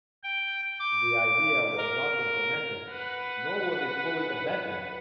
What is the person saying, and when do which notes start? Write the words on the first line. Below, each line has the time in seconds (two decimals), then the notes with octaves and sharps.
The idea was not implemented, nor was it fully abandoned.
0.24 G5
0.80 D6
1.78 A#4
2.90 B4 F#5